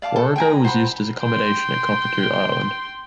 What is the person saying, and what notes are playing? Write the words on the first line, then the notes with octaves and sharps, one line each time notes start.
"Warrego" was used as accommodation at Cockatoo Island.
D5 F5 A5 D6
A4
G5 G#5 A#5
A#5
C5 F#5 A#5 B5
G5 C6